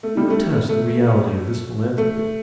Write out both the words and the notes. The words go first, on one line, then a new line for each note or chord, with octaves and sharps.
He would test the reality of this philanthropy.
A3
G3
A3
A3
A3